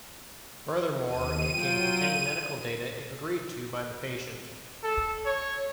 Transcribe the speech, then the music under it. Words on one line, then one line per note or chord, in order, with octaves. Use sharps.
Furthermore, it can contain medical data if agreed to by the patient.
D#2 D#7
F#3 F4 G5
A4
C#5